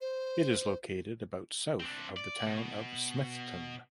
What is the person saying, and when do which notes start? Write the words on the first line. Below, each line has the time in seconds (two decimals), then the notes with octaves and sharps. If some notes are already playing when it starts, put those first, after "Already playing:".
It is located about south of the town of Smithton.
0.01 C5
1.80 C4 D4
2.17 D5
2.46 B2